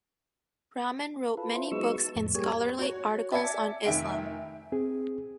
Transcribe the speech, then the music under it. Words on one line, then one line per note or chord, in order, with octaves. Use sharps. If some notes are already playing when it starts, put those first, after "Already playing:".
Rahman wrote many books and scholarly articles on Islam.
F4 A4 B4
E4 F4 C5
F#3 G#3 B3 D#4 C#6 E6
A5
F2 A2
G3 A#3 G4 G#4 C#5 G#5
F#4 C#5
D5 E5 G#5 A5 G#6 C#7
F1 D#3 E5 G#5 D7
C4 G#4